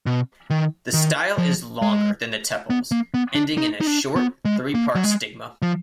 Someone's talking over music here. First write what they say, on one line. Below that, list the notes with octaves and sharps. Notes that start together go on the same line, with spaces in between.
The style is longer than the tepals, ending in a short three-part stigma.
B2
D#3
D#3
F3
G#3
B3
A#3
B3
D4
D#4
D#4
D4
B3
G#3
A#3
F#3
G#3
F3